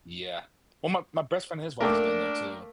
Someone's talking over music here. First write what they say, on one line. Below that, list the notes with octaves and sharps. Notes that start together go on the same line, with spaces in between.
Yeah. Well, my my best friend, his wife has been there too.
A3 A#3 D4 A#4 G5 D6